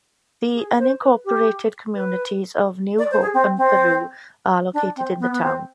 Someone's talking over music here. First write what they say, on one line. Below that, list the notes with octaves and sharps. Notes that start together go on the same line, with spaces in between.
The unincorporated communities of New Hope and Peru are located in the town.
G#4
C5
B4
G4
B4
D5
C5
G#4
C4
C4
D4
C4
B3
B3
C4